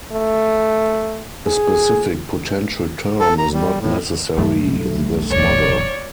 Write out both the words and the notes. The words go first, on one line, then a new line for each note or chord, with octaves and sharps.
A specific potential term is not necessary in this model.
A3
G#4
A4
A#5
G3
A2
B1 G2 F#3 A3 D#4
D#1 F2 C#5 D5